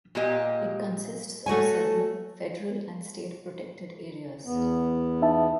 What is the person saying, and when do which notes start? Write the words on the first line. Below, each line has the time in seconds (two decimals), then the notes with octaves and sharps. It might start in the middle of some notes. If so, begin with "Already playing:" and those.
It consists of several federal and state protected areas.
0.15 A#2 G#3 A#3 G4 D#5
1.46 A3 F#4 C#5 G#5
4.45 E2 B3
5.22 D#4 E5 A5